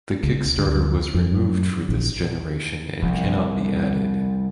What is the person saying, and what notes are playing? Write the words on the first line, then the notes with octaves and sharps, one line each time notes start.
The kickstarter was removed for this generation and cannot be added.
C#2
D2
F2
F#2
A#1
C2 F3